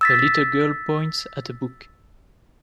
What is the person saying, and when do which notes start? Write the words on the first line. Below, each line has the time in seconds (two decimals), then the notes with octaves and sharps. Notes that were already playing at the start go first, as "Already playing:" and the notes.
A little girl points at a book.
0.01 E6 A6 B6